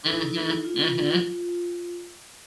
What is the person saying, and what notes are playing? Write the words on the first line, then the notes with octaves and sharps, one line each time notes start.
Mhm, mhm.
D#4 E4 A4
F4